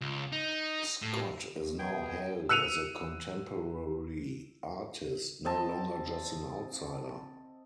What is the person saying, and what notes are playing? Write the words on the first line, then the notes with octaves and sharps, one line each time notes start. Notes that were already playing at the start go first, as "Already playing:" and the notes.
Scott is now hailed as a contemporary artist, no longer just an outsider.
C#2
D#4
A2
B2 G#4 G5
E6 F#6 C#7 D#7 F7
C4 D#5 E5 A5